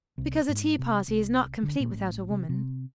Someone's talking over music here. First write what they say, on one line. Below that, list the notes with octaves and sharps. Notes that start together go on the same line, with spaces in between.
"Because a tea-party is not complete without a woman."
C2
G#2
C3
C2
D3
A#2
A1
C3
C3